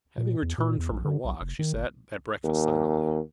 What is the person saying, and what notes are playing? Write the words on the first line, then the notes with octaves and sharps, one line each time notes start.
Having returned from her walk she sat at breakfast silently.
A#2
E2
A#2
E2
A#1
D3
B1
F1
D#3
G1
D#2